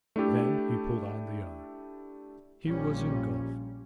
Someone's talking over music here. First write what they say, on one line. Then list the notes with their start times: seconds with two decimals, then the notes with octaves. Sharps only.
Then he pulled on the other: he was engulfed.
0.16 A3 D4 E4 G4 A4
2.65 A#1 A#2 F3 G3 C#4